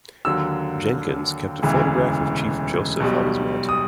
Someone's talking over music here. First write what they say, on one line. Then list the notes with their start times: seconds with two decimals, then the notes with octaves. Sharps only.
Jenkins kept a photograph of Chief Joseph on his mantle.
0.25 D#2 D3 F#3 E6
1.63 E1 D2 C#3 E3
3.00 B1 B2 G3
3.69 D#6